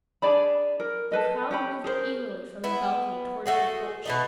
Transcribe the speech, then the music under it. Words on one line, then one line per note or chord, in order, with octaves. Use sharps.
The crowd moved eagerly from the balcony toward the porch.
D4 G#4 D5 B5
A#4
A4 B4 D#5
C#4 G4 G5 B5
G#4 A#4 C5
B3 E4
A3 F#4 G#4
B2 A3 D#4